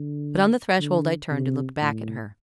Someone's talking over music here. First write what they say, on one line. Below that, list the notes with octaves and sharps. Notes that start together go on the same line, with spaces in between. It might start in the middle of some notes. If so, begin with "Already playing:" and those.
But on the threshold I turned and looked back at her.
Already playing: D3
D3
C3
A2